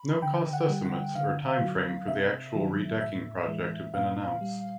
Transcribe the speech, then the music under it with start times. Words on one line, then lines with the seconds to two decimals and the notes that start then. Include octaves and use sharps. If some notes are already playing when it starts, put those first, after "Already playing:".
No cost estimates or time frame for the actual redecking project have been announced.
Already playing: B5
0.22 D3 G5
0.53 F#5
0.69 G3
0.85 F#5
1.15 D3 F5
1.61 F#3
2.08 C3 E5
2.54 D#3 F#3
3.01 A2 E5
3.48 E3 G#3
3.94 A#2 F5
4.41 G3